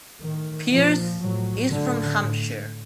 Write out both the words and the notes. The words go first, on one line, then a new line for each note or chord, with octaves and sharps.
Pearce is from Hampshire.
A2 D#3
A#2 F3
A2 F#3
A2 D3
A2